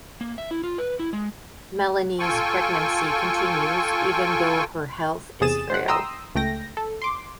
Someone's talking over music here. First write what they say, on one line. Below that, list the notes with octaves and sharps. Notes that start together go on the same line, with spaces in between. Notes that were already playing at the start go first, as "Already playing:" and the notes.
Melanie's pregnancy continues even though her health is frail.
A#3
E5
E4
F4
B4
E4
G#3
F4 A4 G5 G#5 C#6
E2 C3 G#4 D#6 A6 E7
C5 F#5
G5 A#5 C6 D#6 E6
C#2 A3 G5 A#6
A4
C6 D6